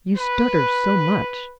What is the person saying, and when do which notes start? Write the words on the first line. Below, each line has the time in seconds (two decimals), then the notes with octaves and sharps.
You stutter so much.
0.16 B4